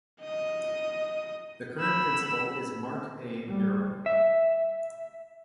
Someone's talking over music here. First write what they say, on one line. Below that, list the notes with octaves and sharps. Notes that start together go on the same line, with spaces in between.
The current principal is Mark A. Murrell.
D#5 D#6
B5 E6
G3
E5